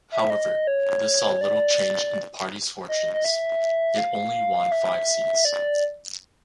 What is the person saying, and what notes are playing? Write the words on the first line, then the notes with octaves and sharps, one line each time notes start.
However, this saw little change in the party's fortunes; it only won five seats.
E5
D#5
C#5
D5
D#5
D#5
E5
F5
E5
D5